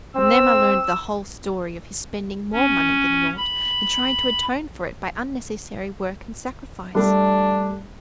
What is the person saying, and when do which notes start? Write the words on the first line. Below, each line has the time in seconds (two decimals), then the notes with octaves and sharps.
From them I learned the whole story of his spending more money than he ought and trying to atone for it by unnecessary work and sacrifice.
0.15 C4 E6
2.53 C#4
3.37 B5
6.95 G3 A3 D4